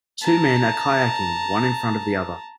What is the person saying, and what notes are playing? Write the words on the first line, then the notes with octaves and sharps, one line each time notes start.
Two men are kayaking, one in front of the other.
A5 A#5